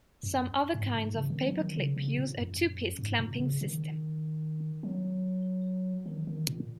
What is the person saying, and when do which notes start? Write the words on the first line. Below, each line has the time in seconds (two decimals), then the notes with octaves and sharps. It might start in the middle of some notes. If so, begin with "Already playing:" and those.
Some other kinds of paper clip use a two-piece clamping system.
0.23 F#2
0.75 G#2
0.94 G#2
1.14 C#3
1.30 D#3
1.45 F#3
1.61 D#3
1.76 C#3
1.96 C#3
2.17 A#2
2.38 F#2
2.99 G#2
3.19 A#2
3.35 A#2
3.39 C#3
3.61 D#3
4.83 F#3
6.06 D#3
6.27 D#3
6.47 A#2